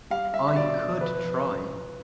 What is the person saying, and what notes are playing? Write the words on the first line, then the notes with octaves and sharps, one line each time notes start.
I could try.
G3 F5
G3 E5
E5
B2 D5
B2
F3 B4
F3